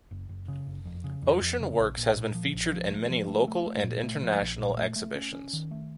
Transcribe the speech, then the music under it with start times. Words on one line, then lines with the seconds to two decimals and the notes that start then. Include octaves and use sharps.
Oshun works has been featured in many local and international exhibitions.
0.11 F#1
0.29 F#1
0.48 C#3
0.67 F#1
0.85 F2
1.04 C#3
1.22 F2
1.41 F2
1.60 C#3
1.79 A#1
1.98 A#2
2.17 A#2
2.34 F3
2.54 A#1
2.72 F3
2.91 A3
3.10 F3
3.28 A3
3.48 A3
3.66 A3
3.84 A#2
4.04 A3
4.22 F3
4.41 A#1
4.59 A#2
4.78 A3
4.96 A3
5.15 C#4
5.34 C#4
5.53 D#3
5.71 A3